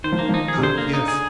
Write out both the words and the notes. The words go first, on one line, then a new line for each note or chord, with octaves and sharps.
Ah, yes!
D#3 C5
F3
D#3 A#3
F3
D#3 D#4
G#4
C3
D3 C5
A#3
D#4
G#4